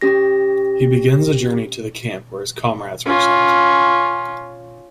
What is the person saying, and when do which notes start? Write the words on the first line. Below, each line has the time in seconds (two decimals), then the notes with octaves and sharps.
He begins a journey to the camp where his comrades were sent.
0.01 C#4 G4 A#6
3.06 C#4 F4